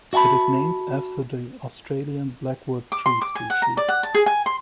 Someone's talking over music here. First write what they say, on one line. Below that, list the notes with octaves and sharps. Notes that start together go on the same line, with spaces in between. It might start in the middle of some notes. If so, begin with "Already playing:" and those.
It is named after the Australian Blackwood tree species.
F#4 E5 F#5 A5 B5
D6
C6
D6
G#5
F#5
A#5
D5
F#5
A5
G#4
G#5
C6